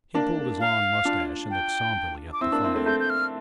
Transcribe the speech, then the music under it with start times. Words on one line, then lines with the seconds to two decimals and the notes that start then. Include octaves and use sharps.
He pulled his long mustache and looked somberly at the flag.
0.15 A#3 D4
0.60 F5
1.05 D4 F4
1.50 G5
2.33 D6
2.41 C4 E4 E6
2.52 A#3 D4
2.64 C4 E4
2.75 A3 C4
2.86 A3 C4 G6
3.00 G6
3.10 F6